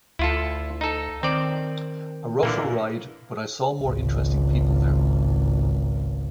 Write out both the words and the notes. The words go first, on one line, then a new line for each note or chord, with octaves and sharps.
A rougher ride but I saw more interesting people there.
D2 E4 F4 A4
D#4 A4
D#3 C4 D5
A#2 D3 E3 A#3
G#1 C#2